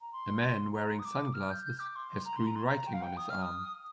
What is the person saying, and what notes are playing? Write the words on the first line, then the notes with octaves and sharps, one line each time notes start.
A man wearing sunglasses has green writing on his arm.
A#5
C6
A#5
D#6
D6
F6
G6
G6
D6
C6
A#5
C6
A#5
C6
A#5
G5
F5
G5
D#6
F6
D#6